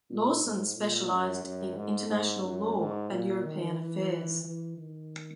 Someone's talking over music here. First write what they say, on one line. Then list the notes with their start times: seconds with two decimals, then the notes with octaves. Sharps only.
Lawson specialized in international law and European affairs.
0.10 A#2
0.43 G#2
0.77 A#2
1.11 F#2
1.43 F#2
1.77 G#2
2.10 G#2
2.44 F#2
2.77 G#2
3.10 A#2
3.44 D#3
3.77 E3
4.44 E3
4.77 D#3